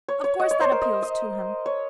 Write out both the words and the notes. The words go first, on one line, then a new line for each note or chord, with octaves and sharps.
"Of course that appeals to him."
C#5
C#5
D#5
C#5
C5
A#4
D#5
D#5
C#5